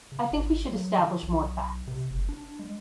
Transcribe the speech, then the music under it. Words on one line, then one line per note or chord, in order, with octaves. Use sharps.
I think we should establish more facts.
C#3
G#1
F#3
D#3
B1
C3
F#1
D4
G#3